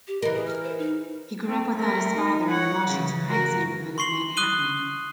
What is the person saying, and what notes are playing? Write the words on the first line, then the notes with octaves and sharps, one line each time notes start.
He grew up without his father in the Washington Heights neighborhood of Manhattan.
G4
E3 A#4 D#5
G#4
F6
C5
D#4
C4
A3 A#4
D#4
C#5 F#5
C#3 E3
F#4 A#4
C6 C#6 C7 F#7
D#6 F#6 D#7 G7